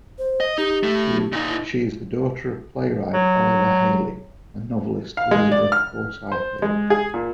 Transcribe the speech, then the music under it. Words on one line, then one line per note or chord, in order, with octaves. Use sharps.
She is the daughter of playwright Oliver Hailey and novelist Elizabeth Forsythe Hailey.
C5
D#5
D#4 G4
A2 A3
A#2 D#4
E4
F#3
F5
G#3
D5
F6
C5
G#3
G#4
A#2